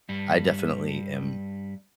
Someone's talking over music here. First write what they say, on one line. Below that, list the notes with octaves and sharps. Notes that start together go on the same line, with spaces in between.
I definitely am,
G2 G3